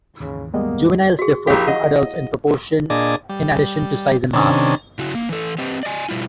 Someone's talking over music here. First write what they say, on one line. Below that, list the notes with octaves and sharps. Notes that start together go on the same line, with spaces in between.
Juveniles differed from adults in proportion in addition to size and mass.
D#2 G#2 C#3 E3
G3 G#3 A#3 B3 D#5
F#4 G#4
A#1 E4 G4 G#4 F5
D#5 F#5
A#2 D4 G#4 D5 D#5
G3
C3 D#3 C#4 D4
C#3 E4 F#4
A#3
E3 A4
C4 G4 B4 D#5
D5 D#5 G#5
B2 G3 E4 F4